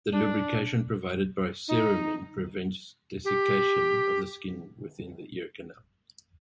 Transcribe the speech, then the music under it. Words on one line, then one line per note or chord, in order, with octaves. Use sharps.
The lubrication provided by cerumen prevents desiccation of the skin within the ear canal.
D4
D#4
G4